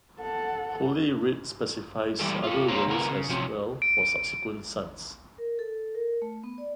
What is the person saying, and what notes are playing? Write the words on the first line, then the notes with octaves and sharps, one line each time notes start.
Holy Writ specifies other roles as well for subsequent sons.
A4 F#5
E3 G3 E4 G4 A4
F4 A4
A#3 C4 F4 C#5 A#5
C#3 B3 C4 A#4
C#3
C3 F3 F#3 C#4
D7
A#4
A4
A#4
A3
B3
D5